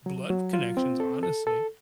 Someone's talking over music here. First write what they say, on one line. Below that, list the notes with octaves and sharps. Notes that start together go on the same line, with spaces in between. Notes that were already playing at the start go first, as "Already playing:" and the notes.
blood connections, honestly.
F#3
F#3
F4
C4
A4
A4
A4